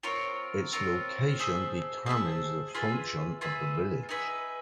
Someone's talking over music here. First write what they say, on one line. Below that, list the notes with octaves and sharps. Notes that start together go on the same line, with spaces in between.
Its location determines the function of the village.
C4 F4 A#4 C#5
C4 F4 A#4 C#5
G#4 C5 E5 A5
G#4 C5 E5 A5
F4 G#4 B4 E5
F4 G#4 B4 E5
D#4 G#4 B4 E5